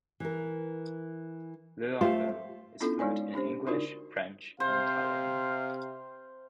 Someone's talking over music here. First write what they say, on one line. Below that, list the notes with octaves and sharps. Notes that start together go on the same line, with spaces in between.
Luongo is fluent in English, French and Italian.
E3 A#4
A3 F4 G4 C5 F5
B3 C#4 D4 E4 F4 A4
G#3 D#4 C#5 D5 G#5
C#4 D4 G4 C5
D4 D#4 F4 F#4 A#4 D5
C3 C5 F5